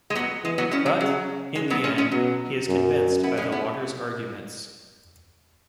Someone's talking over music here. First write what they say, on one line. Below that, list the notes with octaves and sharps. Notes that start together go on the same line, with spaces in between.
But in the end, he is convinced by the logger's arguments.
G#3
F#3 B3
E3 G#3
F#3 B3
G#3 C#4
F#3
C#3 F#3
C#3 G#3
F#3 B3
G#3 C#4
G#3 C#4
B2 F#3
F#2
B3 E4
G#3 C#4
B3 E4